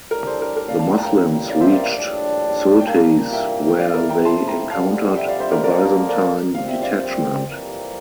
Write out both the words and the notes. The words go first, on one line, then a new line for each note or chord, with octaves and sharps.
The Muslims reached Sulteis where they encountered a Byzantine detachment.
A2 G3 D4 G4 A#4
A4 C5
A#4
A#4
D5 F5
F5 A5
G5 A#5
A5
A1 A2 G3 A#3 G5 A#5
D5 F5
C5 E5
D5 F5
D5 F5
A#1 A2 G3 D4
G5
C2 A#2 G3 A#3 F5 A5
E5 G5
G5
C3 F3 A3 E4 D5 F5
A#4 D5
G5 A#5
A5 C6
G5 A#5
F2 D3 G3 F5 A5
E5 G5
D5 F5
C5 E5
A#4
F2 D3 F3 A#3 A#4 D5
A#4 D5
A#1 A#2 G3 C4 F5
E5
D5 F5
F2 C3 E3 G3 A#3